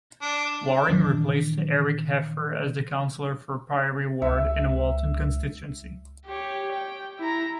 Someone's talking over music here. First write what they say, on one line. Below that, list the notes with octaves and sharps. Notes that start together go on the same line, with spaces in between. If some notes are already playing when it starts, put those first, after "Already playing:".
Wareing replaced Eric Heffer as the councillor for the Pirrie ward in Walton constituency.
D4
A#2 D#3 E3 D4
C#2 E5
G4 C#5
G5
E4 A#5